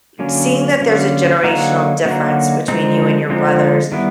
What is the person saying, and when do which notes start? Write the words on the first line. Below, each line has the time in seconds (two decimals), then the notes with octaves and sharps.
seeing that there's a generational difference between you and your brothers,
0.19 D3 F#3 A#3 C#4
0.81 D3 F#3 A#3 C#4
1.43 D3 F#3 A#3 D#4 F#4
2.05 D3 F#3 A#3 D#4 F#4
2.68 D3 F3 G#3 C4 D#4
3.30 D3 F3 G#3 C4 D#4
3.92 D#3 G3 B3 E4